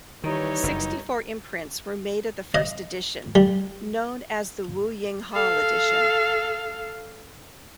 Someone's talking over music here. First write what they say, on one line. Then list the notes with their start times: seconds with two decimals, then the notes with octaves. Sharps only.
Sixty-four imprints were made of the first edition, known as the Wu-ying Hall edition.
0.24 D#3 E3 G3 D#4 C#5
0.63 F#1 G2
2.55 D#5
3.35 G3
5.32 A4 F5